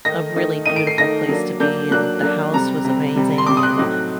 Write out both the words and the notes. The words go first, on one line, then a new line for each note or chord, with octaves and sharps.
a really beautiful place to be, and the house was amazing, and,
D#3 A3 D#4 A#6
D#3 A3 D#4
D#3 A3 D#4 D#7
D7
C7
D#3 A3 D#4 A#6
F#3 A#3 D4
F#3 A#3 D4 G6
F#3 A#3 D4 F#6
F#3 A#3 D4
C3 G3 C4 A#5
C3 G3 C4
C3 G3 C4
C6
C3 G3 C4 D6
D#6
F#6
A2 F#3 A3 C4 D#4